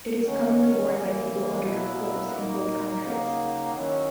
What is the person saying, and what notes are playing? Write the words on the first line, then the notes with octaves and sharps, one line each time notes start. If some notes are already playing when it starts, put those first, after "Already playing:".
It is commonly worn by people under their clothes in cold countries.
D#3 F#3 C#4
F#2 C#3 E3 A#3
B2 F#3 A#3 E4
A#2 A#3 D#4
C#3 F#3 A#3 D#4
D#3 F#3 C#4 E4